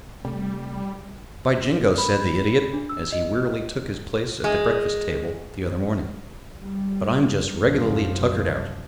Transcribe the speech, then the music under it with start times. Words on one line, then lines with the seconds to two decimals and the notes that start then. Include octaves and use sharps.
"By Jingo!" said the Idiot, as he wearily took his place at the breakfast-table the other morning, "but I'm just regularly tuckered out."
0.25 C3 G3 A3
1.98 B5
2.74 D4
2.89 E6
3.12 D#5
4.44 G#3
6.57 G3
7.60 C2 F#2 F3